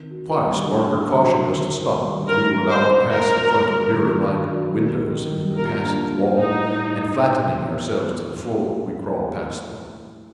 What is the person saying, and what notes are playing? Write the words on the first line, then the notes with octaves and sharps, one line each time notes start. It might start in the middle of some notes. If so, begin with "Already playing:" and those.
Twice Barker cautioned us to stop as we were about to pass in front of mirror-like "windows" in the passage wall, and flattening ourselves to the floor, we crawled past them.
Already playing: D#3 C4
F#4
G3
D3
D3
F#3
D#3
D#3
G3
G2 A#4
C4
C5
D3
D3 A#4
F#4
F#3
D#3
D4
F#3
D#3
D#3
G3
A#2 A#4
D4
G3
A2 D#4